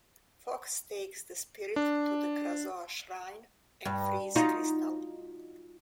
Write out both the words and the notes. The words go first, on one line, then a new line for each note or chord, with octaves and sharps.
Fox takes the spirit to the Krazoa Shrine and frees Krystal.
D4
G2
D#4 F4 F#4